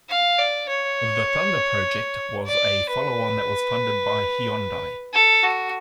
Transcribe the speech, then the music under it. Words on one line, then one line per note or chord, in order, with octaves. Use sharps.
The "Thunder" project was a follow-on that was funded by Hyundai.
F5
D5
C#5
D5
B4
A4
F#4